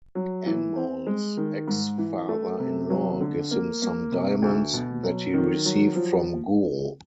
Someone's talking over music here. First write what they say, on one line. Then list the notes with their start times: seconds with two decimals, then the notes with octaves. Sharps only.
Anmol's ex-father-in-law gives him some diamonds that he received from Guru.
0.15 F#3
0.46 E3
0.76 C4
1.07 G#3
1.37 D#3
1.68 G#2
1.98 E3
2.29 A3
2.60 C3
2.90 F#3
3.21 D3
3.51 A#3
3.82 A#3
4.12 C3
4.42 D2
4.73 B2
5.03 F#3
5.34 D#3
5.65 F#3
5.96 F3